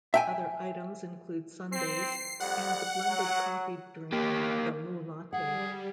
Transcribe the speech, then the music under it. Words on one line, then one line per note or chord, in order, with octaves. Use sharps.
Other items include sundaes and the blended coffee drink, the MooLatte.
E5 G5 G#5
C4 C7
F2 G3 F#5
F#3
A#3 G4
G3 G#4 F#5